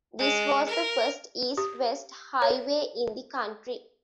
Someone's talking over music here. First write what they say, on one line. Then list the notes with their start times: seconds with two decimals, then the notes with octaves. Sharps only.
This was the first east-west highway in the country.
0.19 G#3
0.68 A#4
1.57 G4
2.42 C#5